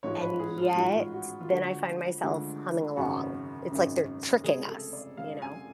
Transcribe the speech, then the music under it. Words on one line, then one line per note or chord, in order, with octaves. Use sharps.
and yet, then I find myself humming along, it's like they're tricking us, you know,
A1 G#2 F3 G#3 C#5
B4
G#4
F4
A1 G#2 F3 G#3 F#4
F#4
F4
D2 D3 F3 G#3 F#4
D2 D3 F3 G#3
G#1 F#2 C#3 F#4
G#1 F#2 C#3
F1 F2 C#3 G#3 G#4
A4
D5
F1 F2 C#3 G#3 F5
G#5